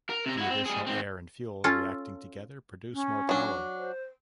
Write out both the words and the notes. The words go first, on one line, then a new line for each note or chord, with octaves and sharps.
The additional air and fuel reacting together produce more power.
A#4
C3 A#5
E4 F#4
C4
G3 G#4
G#2 C4
C#4 F4 A4
C#4
F#3 D4
C5